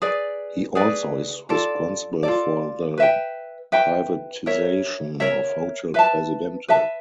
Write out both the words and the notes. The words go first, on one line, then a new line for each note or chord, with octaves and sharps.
He also is responsible for the privatization of Hotel Presidente.
G#4 B4 D5
G#4 B4 D5
F4 A4 D5
F4 A4 D5
B4 E5 G5
B4 E5 G5
A#4 C#5 E5
A#4 C#5 E5
B4 E5 A5
B4 E5 A5